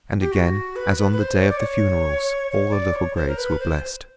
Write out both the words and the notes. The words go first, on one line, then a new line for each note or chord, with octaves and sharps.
And again, as on the day of the funerals, all the little graves were blessed.
G4
F#4
B4
B4
B4
C5
C#5
D5
C#5
C#5
D5
C#5
C5
A#4
B4
C5